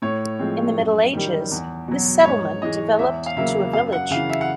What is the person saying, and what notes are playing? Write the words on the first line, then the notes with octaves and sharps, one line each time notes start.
In the Middle Ages, this settlement developed to a village.
A2 C#5
F3 G#3 C4
F#2
D#3 G3
E2
B2 F#3
G#2 C#5
E3 G#3 D#5
E2 E5
F5
C#3 F#3 A#3 E5
F#2 F5
F#5
C#3 E3 F5
E5
F#5